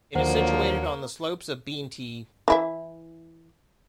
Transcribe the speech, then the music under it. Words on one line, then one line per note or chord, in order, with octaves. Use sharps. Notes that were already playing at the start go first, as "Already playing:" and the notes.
It is situated on the slopes of Beentee.
D#2 D3 F3 F#3 A#3 C5 F#5
E3 E4 E5